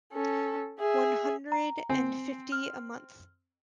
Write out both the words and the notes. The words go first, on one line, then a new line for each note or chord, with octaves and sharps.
One hundred and fifty a month.
C#4 A4
G#4 E5
A#5
C4 G#5
F6